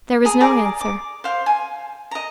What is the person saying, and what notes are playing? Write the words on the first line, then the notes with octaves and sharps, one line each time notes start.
There was no answer.
G#4 G#5 A#5 D#6
G#4 A#4 D5 A#5
D6
C5 F5
G#5
D#5 A#5